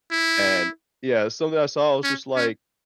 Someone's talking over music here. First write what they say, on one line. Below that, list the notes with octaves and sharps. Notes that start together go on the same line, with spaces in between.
and Yeah, something I saw, I was just like,
E4
C#4
C#4